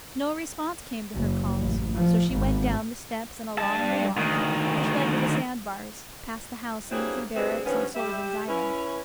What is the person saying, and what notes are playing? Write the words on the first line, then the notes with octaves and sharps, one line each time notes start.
No response came to her calls, so she went down the steps and along the walk which led to the sand-bars, past the houses and barracks on Sullivan's island.
F#1
A1
F3
G#1
G2 A5
D2 D#3
G2 F#3 A#3 C4 E4 G#4
B2 D3 G3 G#3 B3 C4
G2 D#3 F3 B3 C#4
G3 G4 E5
C#4 E4 B4